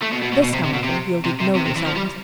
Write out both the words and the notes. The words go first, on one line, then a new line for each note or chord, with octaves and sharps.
This however yielded no result.
A3
B2
B2
B2
B2
C3
C3
B2
C3
C3
C3
C3
C3
E3
F3
G3